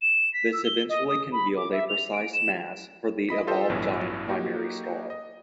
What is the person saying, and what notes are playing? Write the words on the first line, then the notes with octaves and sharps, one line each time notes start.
This eventually can yield a precise mass for the evolved giant primary star.
E7
B6
E6
G7
D#5
D#6
B5
D6
E5
F7
D7
E7
E4 D#5 B5 B6
F4 G4 A4 C5 D#5 E5
A1 G2 B2 E3 F#3
F#3 A#3 D#4 F#4 G4
D#5